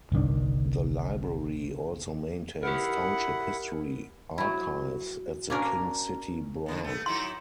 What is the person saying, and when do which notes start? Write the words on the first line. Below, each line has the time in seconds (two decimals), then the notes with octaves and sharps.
The library also maintains township history archives at the King City branch.
0.12 G1 C2 D#3 D4
2.63 E4 G4 A#4 F#5
4.38 F#3 E4
5.50 A#3 C#4 D4 A#4
6.66 B2 D3
6.84 A3 B3
7.06 F#3 D#4 E4 C6